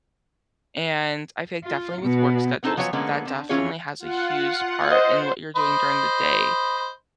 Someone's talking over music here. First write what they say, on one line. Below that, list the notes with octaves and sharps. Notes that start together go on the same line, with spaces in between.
and I feel like definitely with work schedules, that definitely has a huge part in what you're doing during the day,
F4
B2 B3
B3 C4 D#4 E4 A4 C5
F3 F#3 B3 C#5 D5 G#5
D3 F3 G#3 A#3 B3 C#4
D3 C4
E3 C#4 F4 G#4 C#5
F4 F#5
C5 D#5
C5 D#5 B5